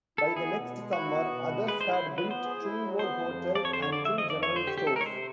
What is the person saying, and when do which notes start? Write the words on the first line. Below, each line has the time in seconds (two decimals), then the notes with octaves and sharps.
By the next summer others had built two more hotels and two general stores.
0.18 E4 A4
0.36 B3 G#4
0.56 B2
0.74 G#3
0.93 E4 F#4
1.12 B3
1.31 B2
1.49 G#3
1.68 G#4 B4
1.81 C5
1.87 E4
1.93 C5
2.05 F#3
2.18 B4
2.24 B3
2.31 C5
2.43 G#4
2.61 E4
2.81 F#3
2.99 B3 C5
3.18 F2
3.37 F3
3.55 F2 D5
3.65 C#5
3.73 D3 C5
3.82 C#5
3.93 F2 D5
4.05 E5
4.12 F3
4.18 D#5
4.30 F2 D5
4.43 C#5
4.49 D3
4.56 C5
4.67 C3 G4
4.78 G4
4.87 G#3 A4
4.96 A#4 C#5
5.06 C3 C5